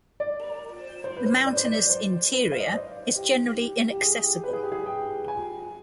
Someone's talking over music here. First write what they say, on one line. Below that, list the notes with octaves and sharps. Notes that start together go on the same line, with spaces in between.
The mountainous interior is generally inaccessible.
D5
C5
B4
C5
D5
C5
D5
C5
B4
F5
D#5
D5
C5
G4
G4
G4
G#4
G4
B4
G#4
G4
G#4
G5
G#5